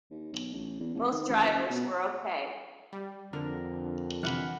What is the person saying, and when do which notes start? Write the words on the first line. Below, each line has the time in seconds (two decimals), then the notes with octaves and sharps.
Both drivers were okay.
0.11 D#2
0.33 B1
0.53 A1
0.80 E2
0.94 F1
1.11 D#3
1.28 A1
1.44 F#1
1.70 B2
2.93 G3
3.33 F2 D3 A#4
4.23 C3 E3 F#5 B5 F6